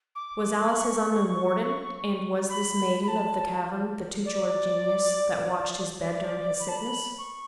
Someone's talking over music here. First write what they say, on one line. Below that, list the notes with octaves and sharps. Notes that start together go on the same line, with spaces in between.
Was Alice his unknown warden, and was this maiden of the cavern the tutelar genius that watched his bed during his sickness?
D6
B5
C#6
B5
B5
A5
D5
D5
B5
A5
B5
C#6